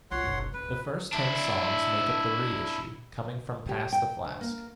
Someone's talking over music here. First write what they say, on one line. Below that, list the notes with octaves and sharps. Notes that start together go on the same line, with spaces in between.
The first ten songs make up the reissue, coming from Pass the Flask.
B1 F4 C#5 F#5 C6
F#1 B1
D1 B4
D4 E4
G4
G5
D2
A#3